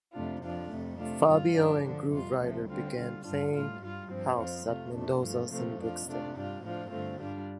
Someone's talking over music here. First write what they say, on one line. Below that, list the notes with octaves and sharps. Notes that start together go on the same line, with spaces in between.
Fabio and Grooverider began playing house at Mendoza's in Brixton.
F2 C3 A3 D4 F4
F2 F3 D4 F4
F2 C3 A3
C3 A3 D4 F4
G2 G3 F4
G2 F3 D4
D3 F3 D4
F2 C3 G3 F4
D2 C3 F3 A3
D3 G3 C4 F4
D3 G3 F4
G2 G3 D4 F4
A2 G3 F4
G2 G3 F4
G2 F3 C4
F2 F3 C4 F4
C3 A3 F4
F2 C3 A3 D4
G2 F3 A3 F4
C3 F3 A3 C4 F4
F2 F3 D4 F4
C3 A3 D4 F4
G2 G3 D4 F4
A2 F3 D4 F4
G2 D3 A3 C4 F4
G2 G3 D4 F4